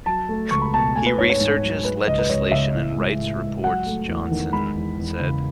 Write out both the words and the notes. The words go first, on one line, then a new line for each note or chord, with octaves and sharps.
He researches legislation and writes reports, Johnson said.
F#3 A5
A3
C#2 C#6
B5
B2 A5
A3 G#5
B4
G#2 C#5
C#5
G#2
F#3
G#3 B4
C#2 D#5
B4
C#2 C#5
C#3 E5
A2
G#3
A2
G#3
F#3 F#5
A3
E2
D#3
G#3 B5
E2
E2
C#3